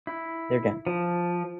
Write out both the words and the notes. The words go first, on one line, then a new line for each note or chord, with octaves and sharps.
They're done,
E4
F3